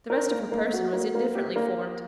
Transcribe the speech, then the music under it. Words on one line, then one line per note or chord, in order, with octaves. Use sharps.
The rest of her person was indifferently formed.
A#4
A#3
A#3
F#4
A#3
A#3
G4
A#3